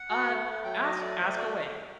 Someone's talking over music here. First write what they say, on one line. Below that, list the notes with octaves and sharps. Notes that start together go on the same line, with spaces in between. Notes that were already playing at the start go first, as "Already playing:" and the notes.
uh, ask ask away.
Already playing: F#5
F#4
A3
A3
F#3 G5
F#3 D#5
A3 D5
A3 C5
F#4 D5